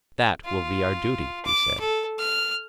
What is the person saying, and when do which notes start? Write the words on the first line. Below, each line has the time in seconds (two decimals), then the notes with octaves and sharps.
That will be our duty, he said.
0.44 F4
1.45 D6
1.79 A4
2.19 F6